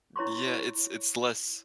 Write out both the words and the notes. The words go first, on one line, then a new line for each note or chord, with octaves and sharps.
Yeah, it's it's less
E4 C#5 A#5 C6 C#6